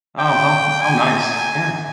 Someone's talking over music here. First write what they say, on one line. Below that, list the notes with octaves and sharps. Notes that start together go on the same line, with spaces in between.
Oh, how how nice. Yeah.
G5
G#5